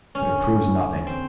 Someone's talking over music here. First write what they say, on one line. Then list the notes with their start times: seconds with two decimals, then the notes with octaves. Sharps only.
But it proves nothing.
0.15 D3 C#4
1.07 C4